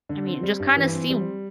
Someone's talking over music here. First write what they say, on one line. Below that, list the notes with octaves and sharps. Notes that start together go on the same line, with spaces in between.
I mean, just kinda see w
D3
C4
G3
G2
E3
C4
G3